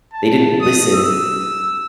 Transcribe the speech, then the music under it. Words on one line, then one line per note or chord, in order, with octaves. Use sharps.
they didn't listen
A5
D#6
E6